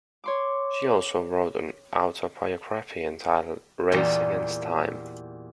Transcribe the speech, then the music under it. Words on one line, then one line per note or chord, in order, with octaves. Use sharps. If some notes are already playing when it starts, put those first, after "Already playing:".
She also wrote an autobiography entitled "Race Against Time".
C#5 C6 D6
E2 A#2 G3